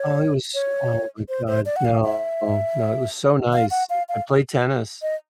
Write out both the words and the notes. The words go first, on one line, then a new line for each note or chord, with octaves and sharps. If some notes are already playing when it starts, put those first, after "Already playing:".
Oh, it was Oh my god, no, no, it was so nice. I played tennis,
Already playing: C#5
C#5
C5
C5
D5
F#5
F5
E5
F5
F#5
F5
F5
D#5